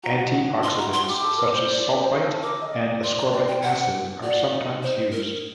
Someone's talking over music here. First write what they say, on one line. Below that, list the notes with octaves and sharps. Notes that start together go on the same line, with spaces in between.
Antioxidants such as sulfite and ascorbic acid are sometimes used.
F#4 A#5
D#4
F#4
F#4
D4
D#4 C6
F#4 A#5
F#4 C6
G4 D6
A4
A#4
C5
D5
D5
C5
A#4
A4
A#4 D6
D#5
D5
D5 C6
A#5
D5 G5
G5
F#5
F#4 D5
D#4
C5
A#4